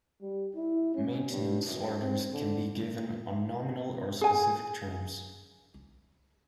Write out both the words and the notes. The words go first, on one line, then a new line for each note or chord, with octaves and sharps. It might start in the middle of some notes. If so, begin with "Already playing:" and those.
Maintenance orders can be given on nominal or specific terms.
G3
E4
C#4
G2
F#2
C4
D3
G#4 G#5